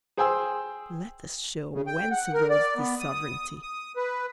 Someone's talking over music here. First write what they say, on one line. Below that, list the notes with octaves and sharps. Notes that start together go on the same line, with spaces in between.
Let us show whence arose this sovereignty.
G#4 C5 G5 G#5 C6 E6
C#3
G5
F#5
A#4
D5
B3
D#6
D#6
B4